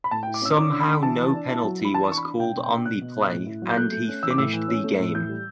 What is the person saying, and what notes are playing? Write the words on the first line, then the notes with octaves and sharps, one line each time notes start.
Somehow no penalty was called on the play and he finished the game.
B5
A2 A5
G5
E4
D6
C#4 E6
D4 D6
D3
B5
D3
E3 A5
E3
D4
E4
F#3
E4
B5
E3 A5
D4 C#6
B5
D4
B2 G5
B2
G5
D4
B2 F#6
B2
C#4
A2
E4
F#3
G6
A3 F#6
A3
C#4
E3 E6
D6
A2 E6
E3
C#4
A3
A2
E3 G6
G3